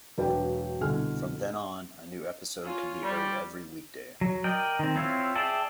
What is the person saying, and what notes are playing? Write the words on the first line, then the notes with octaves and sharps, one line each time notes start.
From then on, a new episode could be heard every weekday.
E1 F#3 D4 B4 D5 G5
C2 B2 D3 F#4 G#5 F6
C#4 F4
G3
F#3
A#4 D5 D#5 G5
D#3 C4
C4 E4 F4 C#5
G#4 D5 E5 G5 A5